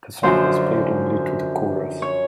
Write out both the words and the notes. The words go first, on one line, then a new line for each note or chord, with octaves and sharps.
The song is played only to the chorus.
F#2 D3 F3 C5
C#5